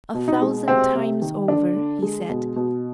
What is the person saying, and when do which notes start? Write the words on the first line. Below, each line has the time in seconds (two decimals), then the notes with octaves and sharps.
"A thousand times over," he said.
0.14 B2
0.28 D#4
0.42 G#3
0.68 C3 C4
0.95 C3
1.22 D#3
1.48 D3 D4
1.76 D3
2.02 G#3
2.29 B2
2.56 B2